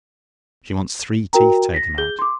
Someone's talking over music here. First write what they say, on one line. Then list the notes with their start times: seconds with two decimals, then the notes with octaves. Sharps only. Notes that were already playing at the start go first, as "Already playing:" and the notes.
She wants three teeth taken out.
1.33 F#4 A#4 G5 A#5
1.74 A#6 B6
1.98 G#4 G6 G7
2.19 C6 D6